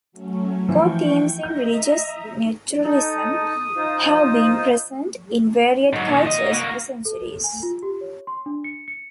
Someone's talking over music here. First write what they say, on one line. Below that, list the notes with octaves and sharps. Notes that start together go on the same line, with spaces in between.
Core themes in religious naturalism have been present, in varied cultures, for centuries.
F#3 A3 C#4
E3 F3 G5 C#6
D#5 E5 A#5 G6
D#4 A4 D#6
D#4 F4 C5
G#2 F#3
A#2 D#3
G#2 D#5
A#3 F#4
A4
G#5
F4
G4
C#5
C6
D4
C#7
C#7